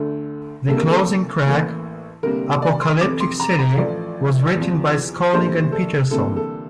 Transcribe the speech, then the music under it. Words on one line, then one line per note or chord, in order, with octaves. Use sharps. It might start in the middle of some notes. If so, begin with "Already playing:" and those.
The closing track, "Apocalyptic City", was written by Skolnick and Peterson.
Already playing: D2 D3 A3
D2 C3 G3 A#3 A4
A#4
A4
A1 A2 E3 A#3
D2 C3 G3 A#3 A#4
D5
C6
F1 F2 C3 E3 D6
C6
A#5
A#5
A1 A2 F3 D5
E2 C3 F3
A#1 A2 G3 A#3 C5
A4
D2 C3 E3 G3 A#3 A4
A4